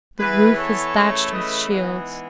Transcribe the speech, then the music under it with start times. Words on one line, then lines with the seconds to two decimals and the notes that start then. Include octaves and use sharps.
The roof is thatched with shields.
0.19 E3 B3 E4 G#4 B4
0.56 A4 C#5
0.94 C#3 E3 A3
1.31 B4 D#5
1.69 G#2 E3 G#3 B3 B4 D#5